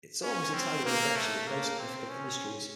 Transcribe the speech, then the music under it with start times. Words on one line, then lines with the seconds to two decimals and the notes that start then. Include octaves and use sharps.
It is almost entirely residential, with no significant industries.
0.23 C#4
0.54 C4
0.85 A#3
1.16 A3
1.47 A#3
1.79 C4
2.09 C#4